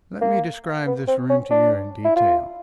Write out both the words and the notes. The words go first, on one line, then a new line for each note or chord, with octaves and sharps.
Let me describe this room to you in detail.
A#3
B3
C4
C#4
D4
E4
F4